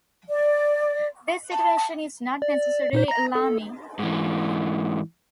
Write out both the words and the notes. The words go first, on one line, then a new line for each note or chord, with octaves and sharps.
This situation is not necessarily alarming.
D5
A5
D5
A#2 D#4 C5
A#5 A#6
A4
G#2 E3